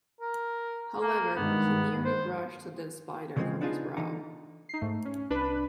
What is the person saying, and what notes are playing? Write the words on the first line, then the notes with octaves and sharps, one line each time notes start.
However, he merely brushed a dead spider from his brow.
A#4
A#3
G2 D#3 G#3 B3
C5
C#3 E3 F3 G3 G#3 C4
B3 D4 D#4 F4 G#4
D3 E3 D#4
D#4 C7
G#2 A3
C#4
C2 D4 B4 B5